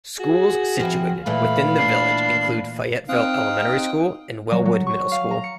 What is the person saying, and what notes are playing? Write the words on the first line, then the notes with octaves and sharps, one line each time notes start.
Schools situated within the village include Fayetteville Elementary School and Wellwood Middle School.
F#4 G#4
F3 C4 E4
A#2 E3 A3 F5 B5
D4 C7
C4 D#4 F5 G5 D#6 F#6
F#3
F#3
C#6
F5
A#5
C#7